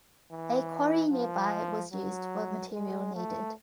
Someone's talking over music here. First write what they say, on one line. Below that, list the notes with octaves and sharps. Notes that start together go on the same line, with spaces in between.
A quarry nearby was used for material needed.
E3
F3
F#3
G#3
A3